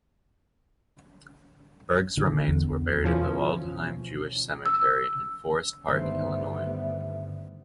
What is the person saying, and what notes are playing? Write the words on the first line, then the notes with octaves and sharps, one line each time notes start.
Berg's remains were buried at the Waldheim Jewish Cemetery in Forest Park, Illinois.
D3
E2
D2 B2 E3 F3 C#4
E6
G2 D3 D#3 G3 A3 B3 C5 E5